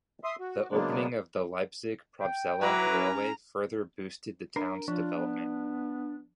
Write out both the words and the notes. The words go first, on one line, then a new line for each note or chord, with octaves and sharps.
The opening of the Leipzig-Probstzella railway further boosted the town's development.
E5 C6 D#6
F#4
C#3 F#3 G#3 A#3 B3 D4
G5
F#3 E4 B4 A#5 D6
C#4
D4 A#4
F3 D4 F4
B3